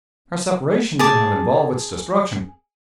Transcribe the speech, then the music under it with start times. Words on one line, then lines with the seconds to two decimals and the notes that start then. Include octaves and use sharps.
Our separation did not involve its destruction.
0.99 G#4 A5 D6